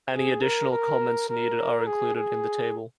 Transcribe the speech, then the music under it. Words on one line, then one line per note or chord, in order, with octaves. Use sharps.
Any additional comments needed are included in the table.
G#4
A#4
A#4
A#4
G#4
G#4